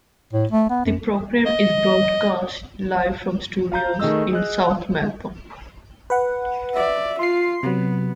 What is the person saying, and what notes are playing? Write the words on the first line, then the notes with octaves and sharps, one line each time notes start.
The programme is broadcast live from studios in Southampton.
A2
A3
B3
F#2
D#5
F5 A#5 G6
D#3 A3 G#4 D#5 E6
G#4 D#5 F#6
B4 F#5
D5 E5
F4 C6 C7
C3 F#3 B3